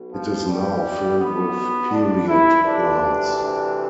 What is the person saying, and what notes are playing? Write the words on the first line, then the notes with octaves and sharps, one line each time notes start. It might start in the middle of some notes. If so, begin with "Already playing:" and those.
It is now filled with period plants.
Already playing: B1 B2
F3
G3
B3
D4
E4
D2 C3 E3 D4
D4